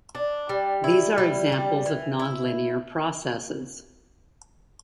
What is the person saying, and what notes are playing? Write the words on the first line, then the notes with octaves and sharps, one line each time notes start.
These are examples of nonlinear processes.
D4
G3
E4
G3
G3
E3
E4